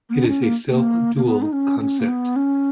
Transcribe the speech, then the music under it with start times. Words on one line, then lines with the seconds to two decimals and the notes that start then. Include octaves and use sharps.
It is a self-dual concept.
0.10 A#3
0.14 B3
0.24 D#4
0.28 C#4
0.42 A#3
0.70 A#3
1.16 A#3
1.25 B3
1.42 D#4
1.53 C#4
1.80 C#4
2.00 A#3
2.08 B3
2.36 C#4